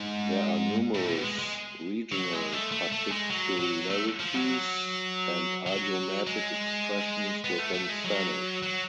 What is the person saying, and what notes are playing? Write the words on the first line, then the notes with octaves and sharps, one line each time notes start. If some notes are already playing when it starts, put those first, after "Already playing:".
There are numerous regional particularities and idiomatic expressions within Spanish.
Already playing: G#2
A2
B2
G#3
G#3
F#3
G#3
A3
A3
A3
G#3
F#3
F#3
A3
F3
F#3
F#3
G#3
B3
A3
A3
G#3
F#3
F#3